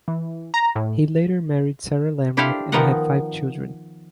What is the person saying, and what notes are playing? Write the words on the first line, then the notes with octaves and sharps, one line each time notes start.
He later married Sarah Lamrock and had five children.
E3
A#5
A2
D4 E4 G4 A4 C5 F5
D#3 F3 B3 A#4 D#5 F#5